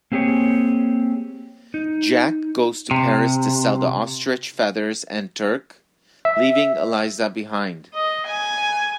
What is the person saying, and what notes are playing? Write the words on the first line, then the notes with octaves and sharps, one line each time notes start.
Jack goes to Paris to sell the ostrich feathers and Turk, leaving Eliza behind.
A#3 C4 G4 G#4 C#5
D#4
C3
E5
D#5
G#5